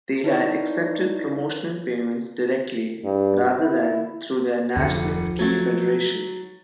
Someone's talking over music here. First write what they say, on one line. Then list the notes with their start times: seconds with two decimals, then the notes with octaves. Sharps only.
They had accepted promotional payments directly, rather than through their national ski federations.
0.24 D#4 E4 B4 C#5 D5
3.04 G2
3.61 E4
4.76 F1 D2 F3 C#7
5.39 F#3 A3 G#6 A6